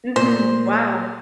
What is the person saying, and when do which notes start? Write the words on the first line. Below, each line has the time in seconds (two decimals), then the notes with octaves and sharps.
Mhm. Wow.
0.16 A#2 C5